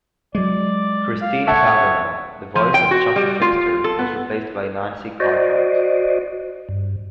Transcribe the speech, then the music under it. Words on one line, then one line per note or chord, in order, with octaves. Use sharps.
Christine Cavanaugh, the voice of Chuckie Finster, was replaced by Nancy Cartwright.
F#3 G#3 D5
F5
A4 C#5 E5 F#5
F3
G5
F#4
G3
F4
A4
B3
F#4 C5 D5 D#5
G2